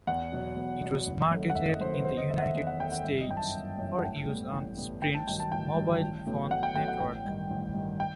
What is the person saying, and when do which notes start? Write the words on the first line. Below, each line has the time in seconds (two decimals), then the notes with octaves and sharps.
It was marketed in the United States for use on Sprint's mobile phone network.
0.07 E2 F#5
0.32 B2 F#3
0.56 E2
0.82 B2 F#3
1.07 F#1
1.31 F#2 D#3 A3
1.50 F#5
1.55 F#1 E5
1.68 D#5
1.81 F#2 D#3 A3 C5
1.94 B4
2.05 E2 C5
2.17 D#5
2.30 D#3 A3 E5
2.38 F#5
2.42 E5
2.55 E2
2.67 F#5
2.80 D#3 A3 G5
2.92 F#5
3.04 G1 E5
3.21 D#5
3.29 F#2 E3 G5
3.37 A5
3.54 G1
3.78 F#2 E3
3.99 F#5
4.03 A1 G5
4.27 A2 G3 B3
4.53 A1
4.77 A2 G3 B3
5.02 A1 G5
5.15 A5
5.27 G2 D#3 F#3 G5
5.40 A5
5.52 A1 G5
5.76 G2 D#3 F#3
6.02 A1
6.27 A2 F#3 B3
6.51 A1 F#5
6.63 G5
6.75 A2 F#3 B3 G5
6.88 F#5
7.00 A1 G5
7.25 G2 D#3
7.50 A1
7.74 G2 D#3
8.00 G5